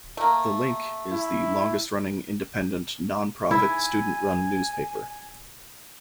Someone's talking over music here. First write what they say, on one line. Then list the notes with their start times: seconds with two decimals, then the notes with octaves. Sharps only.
"The Link" is the longest-running independent, non-profit, student-run newspaper.
0.17 A3 A#3
1.12 E4
3.51 E4 G#5